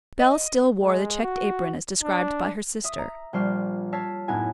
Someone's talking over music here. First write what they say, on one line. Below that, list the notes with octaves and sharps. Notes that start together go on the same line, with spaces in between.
Bell still wore the checked apron as described by her sister.
D#5
G#3
F#4
D4
E5 D#6
A#5
A#1 G3 C5 C#6 F6
C#5 F5 A5 E6 B6
F#2 A2 B3 D#4 E4 G#5